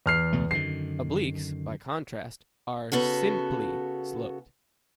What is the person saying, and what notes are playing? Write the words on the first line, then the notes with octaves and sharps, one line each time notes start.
Obliques by contrast are "simply" sloped.
E2 F6 C7
C#2 B2 A3
F#2 D3 D#3 C7
C#3 B3 F#4 A4